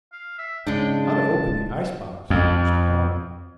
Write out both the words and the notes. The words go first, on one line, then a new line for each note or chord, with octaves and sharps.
How to open the ice-box was a problem.
F5
E5
G#2 C#3 G#3 D4 G5
A5
F2